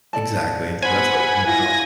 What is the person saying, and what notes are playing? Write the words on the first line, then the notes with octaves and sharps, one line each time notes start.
Exactly. And so that's why I kinda felt.
A4 D5 A5
C5 F#5 G#5 B5
E4 F4 A#6